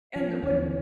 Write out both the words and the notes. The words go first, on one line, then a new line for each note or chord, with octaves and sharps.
And when
F3
D#2 D3 E3